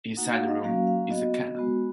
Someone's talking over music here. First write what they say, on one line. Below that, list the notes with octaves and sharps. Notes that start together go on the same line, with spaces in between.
Inside the room is a cannon.
A#3 D#4 F#4 F#5
F5
D#5
F#3 A#3 C#4 F#4 F5
F5
B3 F#4 D#5
G#3 B3 F#4